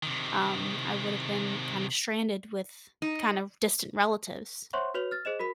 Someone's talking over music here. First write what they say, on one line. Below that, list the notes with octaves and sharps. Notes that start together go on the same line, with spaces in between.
um, I would've been kind of stranded with kind of distant relatives.
C3 D#3
D#4
C5 C#5 E5 F#5 C6 C#6
F#4 B4 C#5 F7
F6 A6
G#4 C5 D#5 E7
F#4 A#4 B5 B6